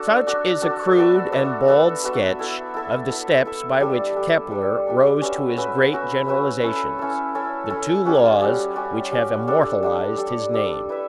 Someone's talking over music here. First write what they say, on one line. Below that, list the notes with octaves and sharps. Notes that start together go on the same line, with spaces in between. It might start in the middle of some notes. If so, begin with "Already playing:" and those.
Such is a crude and bald sketch of the steps by which Kepler rose to his great generalizations--the two laws which have immortalized his name.
Already playing: D4 F#4 A4
D4 F#4 A4
D4 F#4 A4
B3 F#4 A4 E5
B3 F#4 A4 E5
B3 F#4 A4 E5
B3 F#4 A4 E5
E4 A4 E5
E4 A4 E5
E4 A4 E5
E4 A4 E5
G3 D4 A4
G3 D4 A4
G3 D4 A4
G3 D4 A4
C#4 F#4 B4 E5
C#4 F#4 B4 E5
C#4 F#4 B4 E5
C#4 F#4 B4 E5
C#4 E4 A4
C#4 E4 A4
C#4 E4 A4
C#4 E4 A4
G3 C#4 F#4
G3 C#4 F#4
G3 C#4 F#4
G3 C#4 F#4
G3 D4 A4
G3 D4 A4
G3 D4 A4
G3 D4 A4
E4 B4 E5